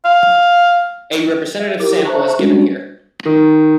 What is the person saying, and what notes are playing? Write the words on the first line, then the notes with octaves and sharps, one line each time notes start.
A representative sample is given here.
F5
E5
E4 G4 A#4 D6
C5 E5 A5 A#5 C#6 F#6
G3 G#3 C#4 D4 F#4
D#3